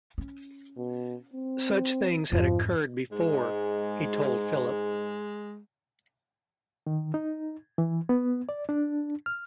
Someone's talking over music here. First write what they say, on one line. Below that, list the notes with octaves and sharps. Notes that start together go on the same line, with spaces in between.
Such things had occurred before, he told Philip.
C#4
B2
C4
F2 G#2 F3
G#2 G#3
D#3
D#4
E3
B3
D5
D4
F6